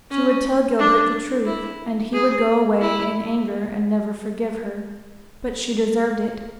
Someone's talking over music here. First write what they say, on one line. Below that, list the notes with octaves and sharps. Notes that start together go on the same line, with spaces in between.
She would tell Gilbert the truth, and he would go away in anger and never forgive her, but she deserved it.
C#4
D4
E4
G#4
E4